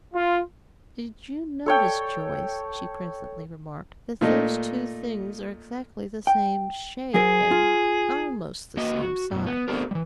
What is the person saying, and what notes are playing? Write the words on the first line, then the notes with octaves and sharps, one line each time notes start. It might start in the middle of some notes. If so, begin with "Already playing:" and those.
"Did you notice, Joyce," she presently remarked, "that those two things are exactly the same shape, and almost the same size?"
F4
A4 C#5 G5
A#2 A3 D#4
G5
F#3 G#4 A#4 C5
F4
A#3 F#4 D#5
F#4
F#2 B2
B3
A3 B3 C4 D4 G4 A#4
E3 G3